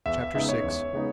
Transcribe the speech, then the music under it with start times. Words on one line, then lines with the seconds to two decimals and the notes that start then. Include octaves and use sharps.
Chapter VI.
0.06 E2 E5
0.20 E5
0.35 C#3 G#3 B3 D#4 E5
0.49 C#5
0.64 E2
0.93 C#3 G#3 B3 D#4